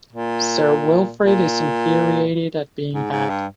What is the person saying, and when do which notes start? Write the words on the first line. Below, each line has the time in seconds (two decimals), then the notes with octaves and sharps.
Sir Wilfrid is infuriated at being had.
0.13 A#2
1.24 A#2
2.93 G#2
3.11 G#2
3.30 G2